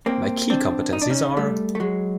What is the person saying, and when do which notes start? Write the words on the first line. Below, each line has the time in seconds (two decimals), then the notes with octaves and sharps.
My key competencies are...
0.06 A#3 C4
0.50 C4 D4
0.93 D#4
1.02 D4
1.10 C#4 D#4
1.37 G3 A3
1.75 A3
1.80 F#3 G#3